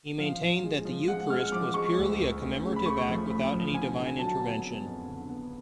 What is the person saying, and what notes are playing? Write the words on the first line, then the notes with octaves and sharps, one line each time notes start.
He maintained that the eucharist was purely a commemorative act without any divine intervention.
F3 F5
F3
G#3
F3
G#3 F#5
G#3 F6
F3 D6
G#3 C#6
D2
D2
D2
C#3
B5
A3 C#6
F3
A3 B5
F3
D3 G#5
D3
F#3 A5
B3
B3
F2
D3
B3